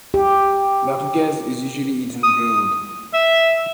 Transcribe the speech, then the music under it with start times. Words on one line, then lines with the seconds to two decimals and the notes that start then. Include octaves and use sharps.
Merguez is usually eaten grilled.
0.14 G4
2.23 D#6
3.14 E5